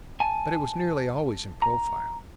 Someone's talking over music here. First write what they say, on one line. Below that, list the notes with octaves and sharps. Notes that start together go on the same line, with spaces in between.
But it was nearly always in profile.
G#5 A5
A#5